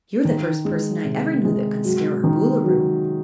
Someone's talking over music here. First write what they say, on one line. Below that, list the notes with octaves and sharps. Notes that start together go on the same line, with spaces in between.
"You're the first person I ever knew that could scare our Boolooroo."
D#3
G#3
C3
G#3
F#3
D#3
F#3